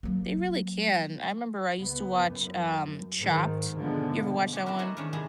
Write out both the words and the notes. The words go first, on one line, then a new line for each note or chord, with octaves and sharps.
They really can. I remember I used to watch, um, Chopped. You ever watched that one?
F#3 A#3
C#2 B3
F#2
G#2 D#3
B2 D3 F3 G#3 B3
C#4 G4
C4 E4 F#4 A#4 B4
A3 D#4 F#4 A#4 C5 C#5
D#3 E3 G#3 C#4 D4
C3 G#3 B3 G4 G#4